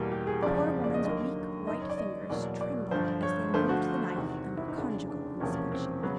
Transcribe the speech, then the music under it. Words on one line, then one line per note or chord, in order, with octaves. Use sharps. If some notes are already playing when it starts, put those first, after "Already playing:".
The poor woman's weak white fingers trembled as they moved the knife under conjugal inspection.
Already playing: E2 B2 G3 A#3
G4
G#4
F#1 E2 C#3 F3 G#3 D5
D5
D#5
D#2 D3 F#3 A#3 D#5
F#1 F#2 D#3 D#5
C#5
D5
D#5
E2 B2 F#3 A#3 D5
D5
G1 G2 D3 F3 C5
C#5
G1 G2 D3 F3 A3 C5
F#4
E2 C3 D#3
E4
D#4
F1 D#2 C#3 D4
D4
E1 E2 C3 F3 A#3 C#4
C#4
C4
C#3 F#3 B3